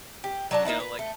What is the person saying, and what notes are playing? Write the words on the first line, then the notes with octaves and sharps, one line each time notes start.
you know, like,
G4
F#3 D4 A5
A#3 B3 D#4 E4
B4
A3